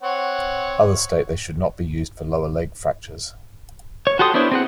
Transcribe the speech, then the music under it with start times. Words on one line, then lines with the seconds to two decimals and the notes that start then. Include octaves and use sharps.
Others state they should not be used for lower leg fractures.
0.03 C4 C#5 F#5
4.07 C#5
4.19 F#4 G4 A4 C6 D#6
4.34 B3 D4 E4 C5 C#5
4.51 C4 G#4 F#5